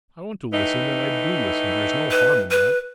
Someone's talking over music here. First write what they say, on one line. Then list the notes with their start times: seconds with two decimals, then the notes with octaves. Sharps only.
I want to listen and I do listen, there's no harm in that.
0.51 A2 E3 D#4
2.11 B4
2.51 B4